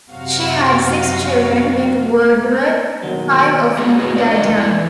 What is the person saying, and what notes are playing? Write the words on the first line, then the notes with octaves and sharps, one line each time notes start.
She had six children with Woodworth, five of whom died young.
F#2 C3 F#3 F#4 F5
D#2 B2 D#3 F#3
G#3 B3 C#4 F#4 G#4
A2 F#4 B4
D4 F#4 B4 D5
F2 D3 A3 D#5
A#3 E4 D5
E3